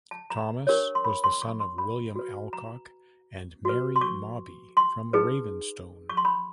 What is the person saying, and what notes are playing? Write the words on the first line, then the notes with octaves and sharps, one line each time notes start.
Thomas was the son of William Alcock and Mary Mawbey from Ravenstone.
A5
A#5
D4 G4 A#4 C#5
C6
B5
C6
C#6
C6
B5
F#4 B4
A#5
F#4 B4
C6
C#6
C6
D#4 G#4 B4
C#6
C6
B5